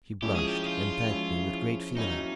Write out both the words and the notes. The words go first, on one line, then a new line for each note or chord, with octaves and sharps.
She blushed, and thanked me with great feeling.
F3 G#3 C#4 E4 G4
G#4
G4
F4
F3 G#3 C#4 E4
F#3 A#3 C#4 D#4 E4